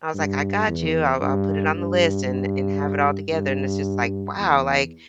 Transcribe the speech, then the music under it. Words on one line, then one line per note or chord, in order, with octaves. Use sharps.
I was like, “I got you. I'll I'll put it on the list and and have it all together,” and it's just like, "Wow," like,
G2
E2
G2
G2
G2
G2
E2